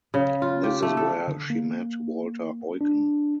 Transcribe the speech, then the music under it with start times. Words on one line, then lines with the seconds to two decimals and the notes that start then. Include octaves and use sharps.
This is where she met Walter Eucken.
0.14 C#3
0.42 F4
0.64 G4
0.82 A3
0.97 A4
1.28 D3
1.50 A#3
2.81 D4